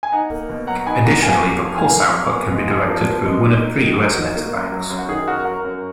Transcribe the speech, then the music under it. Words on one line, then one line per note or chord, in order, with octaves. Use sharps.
Additionally, the pulse output can be directed through one of three resonator banks.
G#5
D#4 F#5 A#5
A#3
B2
F#3 F#5 A#5
D#4 G#5 B5
A#3 F#5 A#5
F2 F5 G#5
F#3
F2
D#3 F5 G#5
F2
F#3
B3
G#3
F2
F3 A#4 D5
B3
G#3
D#4
A#3
D#3
G#4
F#3 F#4
D#4
A#3
F#2
F#3
F#2
F#4
D#3 G#4
F#2 F#4 A#4
F#3 F#4 A#4
F#2